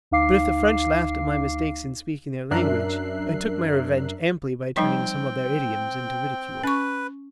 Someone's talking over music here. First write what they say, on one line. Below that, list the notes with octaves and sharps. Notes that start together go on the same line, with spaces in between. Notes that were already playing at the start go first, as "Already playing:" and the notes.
But if the French laughed at my mistakes in speaking their language, I took my revenge amply by turning some of their idioms into ridicule.
D2 D#4 F5 D6 C7
F#2 D4 A#4 E5 F#6 C7
F3 G3 C4 D#4 G5
C#4 B4 C#6